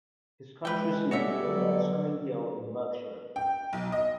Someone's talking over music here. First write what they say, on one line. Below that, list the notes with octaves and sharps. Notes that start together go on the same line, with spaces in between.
His country seat was at Sunninghill in Berkshire.
G#3 B4 G5
G3 F#4 A4 C#5 D5 E5
D3 F#3
G5
B1
D#5